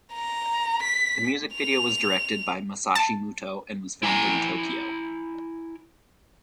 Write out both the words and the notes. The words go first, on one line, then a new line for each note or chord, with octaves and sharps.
The music video was directed by Masashi Muto and was filmed in Tokyo.
A#5
B6
F7
A5
E4 G#5 A#5